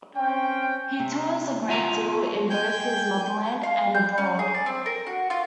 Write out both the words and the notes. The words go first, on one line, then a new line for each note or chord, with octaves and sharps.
He tours a great deal in both his motherland and abroad.
C4 C#4 G5
C3
B3 F4 E5 G#5 A#5
G5 G#5 G6
F5
G6
C#4
G#4
D5
C4
A#4
F#4
F4